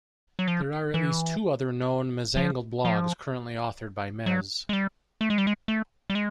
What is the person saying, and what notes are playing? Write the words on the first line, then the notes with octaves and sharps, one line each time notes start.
There are at least two other known mezangelled blogs currently authored by mez.
F#3
F3
E3
F3
F3
F#3
G#3
G3
A3
G#3
G3
G#3
A3
G3
G#3